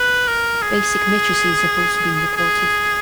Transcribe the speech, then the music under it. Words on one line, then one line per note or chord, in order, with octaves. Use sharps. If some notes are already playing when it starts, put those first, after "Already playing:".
Basic matrices have also been reported.
Already playing: B4
A#4
G#4
G#4